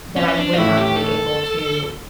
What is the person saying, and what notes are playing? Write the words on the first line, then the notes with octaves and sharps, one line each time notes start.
that I would not be able to
C#4
D4
F4
A2 E3 A3 C#4 E4
G4
A4